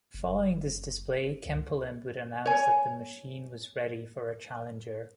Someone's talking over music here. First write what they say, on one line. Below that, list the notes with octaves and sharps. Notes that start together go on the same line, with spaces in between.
Following this display, Kempelen would announce that the machine was ready for a challenger.
F#1
C#2
C#5 G#5